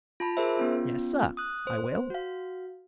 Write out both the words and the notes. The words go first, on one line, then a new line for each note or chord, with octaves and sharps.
"Yes, sir, I will."
F4 A5 B5
F4 G#4 A#4 C5 E5
B3 C#4 F4
D#6 F#6
C5
F#4 F5